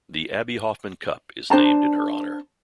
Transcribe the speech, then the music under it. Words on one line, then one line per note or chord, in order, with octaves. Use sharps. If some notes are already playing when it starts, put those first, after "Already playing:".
The Abby Hoffman Cup is named in her honour.
D4 C5 A5 A#5